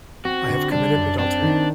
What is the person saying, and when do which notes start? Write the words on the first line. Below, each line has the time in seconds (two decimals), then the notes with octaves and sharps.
I have committed adultery.
0.25 C4 F#4
0.48 D3
0.72 G3 D4
0.95 F#2
1.18 C4 D4
1.42 D#3